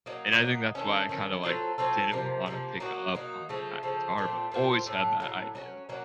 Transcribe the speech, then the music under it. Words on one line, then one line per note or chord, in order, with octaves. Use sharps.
and I think that's why I kinda, like, didn't wanna pick up on that guitar, but always had that idea.
F#3 A#3 D#4
F#3 A#3 D#4
D#3 A3 C#4
D#3 A3 C#4
F#3 C4 F4 A4
F#3 C4 F4 A4
C3 F3 A#3
C3 F3 A#3
F#3 A#3 D#4 F#4
F#3 A#3 D#4 F#4
C#3 F3 A3
C#3 F3 A3
A#2 A3 C4 F4
A#2 A3 C4 F4
A2 F#3 A3
A2 F#3 A3
F#3 A#3 C#4
F#3 A#3 C#4